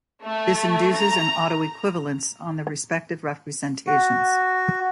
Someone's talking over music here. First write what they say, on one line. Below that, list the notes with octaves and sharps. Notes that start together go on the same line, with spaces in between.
This induces an autoequivalence on the respective representations.
A3
A#5
F#4